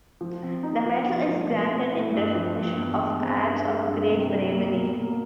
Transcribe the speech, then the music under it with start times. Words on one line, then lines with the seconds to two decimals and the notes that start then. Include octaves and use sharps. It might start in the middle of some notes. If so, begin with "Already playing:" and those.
The medal is granted in recognition of "acts of great bravery".
0.21 F3
0.43 C4
0.63 D#4
0.86 F3
1.07 B3
1.28 F3
1.50 B2
1.71 C4
1.92 E4
2.14 G2
2.35 F3
2.58 G2
2.78 E2
3.00 G#3
3.21 C4
3.43 G2
3.65 G#3
3.86 G2
4.08 C3
4.29 G3
4.51 A#3
4.72 B2
4.93 A#3